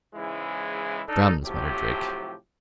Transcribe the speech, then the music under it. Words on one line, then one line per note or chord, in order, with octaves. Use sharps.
"Drums?" muttered Drake.
G#2 C#3 E3 G#3 E4
D4 D#4 A4
A2 C3 F3 F#3 G4